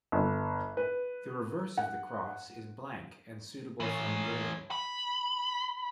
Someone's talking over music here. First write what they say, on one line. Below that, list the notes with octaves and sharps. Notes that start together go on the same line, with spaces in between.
The reverse of the cross is blank and suitable for engraving.
G1
B4
F#5
E3 C#5
B5